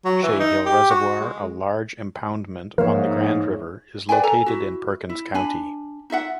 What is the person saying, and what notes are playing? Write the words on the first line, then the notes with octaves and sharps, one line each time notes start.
Shadehill Reservoir, a large impoundment on the Grand River, is located in Perkins County.
F#3
E3
D#4
G4
F#4
G#3
G#2 F3 A#3 A#4 C#5 E5 F5
B4 D5 G5 G#5
A4 G#5 A#5
E4 F#4
E4
D4 G#5 B5
D#4 F4 E5 F#5